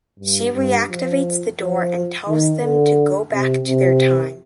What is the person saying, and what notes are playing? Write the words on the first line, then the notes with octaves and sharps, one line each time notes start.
She reactivates the door and tells them to go back to their time.
G2
G2
F3
F3
D#3
D3
C3
C3